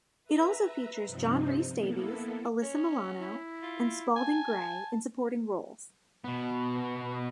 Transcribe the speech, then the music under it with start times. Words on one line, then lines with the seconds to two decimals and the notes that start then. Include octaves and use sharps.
It also features John Rhys-Davies, Alyssa Milano, and Spalding Gray in supporting roles.
0.24 B4 E5 A#5
1.04 G2 C3 F3 C4 D#4
1.75 A#3 B3 E4 A4
2.62 C#4 C#5
3.19 E4
3.63 F4
4.16 G#5 A5
6.24 B2 B3